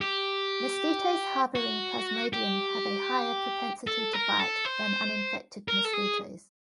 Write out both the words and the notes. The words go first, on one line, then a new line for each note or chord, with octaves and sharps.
Mosquitoes harboring "Plasmodium" have a higher propensity to bite than uninfected mosquitoes.
G4
F#4
G4
A4
A#4
A4
C5
A#4
A4
G#4